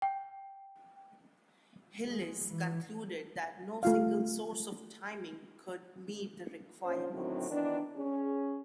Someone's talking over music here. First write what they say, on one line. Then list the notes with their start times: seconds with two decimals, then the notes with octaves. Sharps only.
Hillis concluded that no single source of timing could meet the requirements.
0.02 G5
2.07 G#3
2.49 E3
3.83 A3 F4 F5
6.83 A#2 F3 C#4 C5
7.14 F#2 A2 D3 D#3 F#3 C4
7.50 D#3 E3 B3 D4
7.96 C#4 G#4